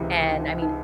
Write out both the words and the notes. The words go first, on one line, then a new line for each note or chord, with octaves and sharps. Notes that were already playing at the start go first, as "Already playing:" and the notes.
And, I mean,
Already playing: C#2 C3 E3 E4
D4
D#4
D#4